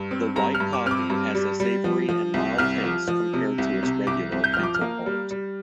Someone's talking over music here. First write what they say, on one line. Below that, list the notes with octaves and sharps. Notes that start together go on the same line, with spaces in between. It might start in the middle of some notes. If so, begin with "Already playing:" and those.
The white coffee has a savory and mild taste compared to its regular counterpart.
Already playing: G2
C4
G2 A#5
F6
G2
D6
C4 D6 F6
G2
G3
G3
F3
F3
C2
C2 F6
F3
F3
C3
C2
C3
C2 D6
C2
G6
F3 F6
D6
F6
A#3
G3
G3